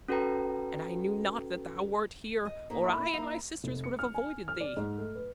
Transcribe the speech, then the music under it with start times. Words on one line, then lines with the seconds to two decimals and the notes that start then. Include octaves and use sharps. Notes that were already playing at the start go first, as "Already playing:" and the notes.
And I knew not that thou wert here, or I and my sisters would have avoided thee.
0.08 C#4 F#4 A4 B4 G5 A#5
2.45 D#5
2.70 A2 A#3 D#4
2.84 E4
3.13 A#3 F5
3.64 F1
3.84 C#7
3.99 F6
4.14 G#5
4.48 F6
4.60 D5
4.77 G#2
4.98 A3
5.16 B4